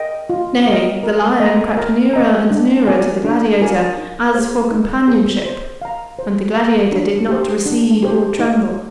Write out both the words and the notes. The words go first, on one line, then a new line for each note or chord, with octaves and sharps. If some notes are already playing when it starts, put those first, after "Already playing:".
Nay, the lion crept nearer and nearer to the gladiator, as for companionship; and the gladiator did not recede or tremble.
Already playing: A#4 D#5 G5
F4
A#4 D#5 G5
A#4
D#5 A#5
A#4
D#5 A#5
D4
F4 A#4 D5 G#5
D4
F4 A#4 D5 G#5
D#4
G#4 C5
D#4
G#4 C5
C5
F5 A#5
C5
F5 A#5
D4
G4 C5
D4
G4 C5
D#4